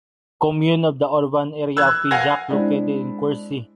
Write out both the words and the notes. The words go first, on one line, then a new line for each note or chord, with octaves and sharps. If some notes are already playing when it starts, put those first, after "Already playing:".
Commune of the urban area of Figeac located in Quercy.
E6 F#6 G#6
F5 F#5 G#5 G#6 A#6
G#3 C4 D4 E4